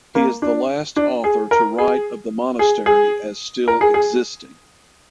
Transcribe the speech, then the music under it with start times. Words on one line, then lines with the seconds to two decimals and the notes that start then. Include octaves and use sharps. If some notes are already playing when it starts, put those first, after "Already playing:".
He is the last author to write of the monastery as still existing.
0.15 A#3
0.42 D4
0.96 D4
1.24 G#4
1.51 A#4
1.79 G#4
2.59 G#4
2.86 G#4
3.68 A#4
3.81 G#4
3.94 G#4